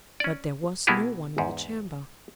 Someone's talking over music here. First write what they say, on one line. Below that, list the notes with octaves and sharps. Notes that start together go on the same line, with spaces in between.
But there was no one in the chamber.
C#4 D5
B2 A#3 B3 E4 G4 G#4
E2 G#2